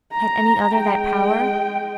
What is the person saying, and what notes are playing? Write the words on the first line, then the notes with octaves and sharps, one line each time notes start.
Had any other that power?
A#5
G#3 G5